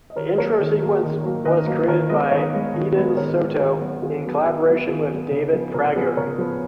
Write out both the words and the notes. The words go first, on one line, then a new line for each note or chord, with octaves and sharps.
The intro sequence was created by Eden Soto in collaboration with David Prager.
D#5
D#3 A#4 C#5
F#3 A#3 A#4 C#5
D#3
F#3 A#3
D#3
F#3 A#3
D#3 B4 D#5
F#3 A#3
D#3 A#4 C#5
G#3 B3 B4 D#5
D#3 C#5 F5
G#3 B3
D#3
G#3 B3
B4
D#3 A#4 C#5
G#3 B3
D#3 F#4 A#4
F#3 B3 F#4
D#3 F4 G#4
F#3 B3
G#4
D#3 F#4
F#3 B3
D#3 F4 G#4
F#3 B3
C#3
F3 B3
C#3 F#4 A#4
F3 B3 G#4 B4
C#3 A#4 C#5
F3 B3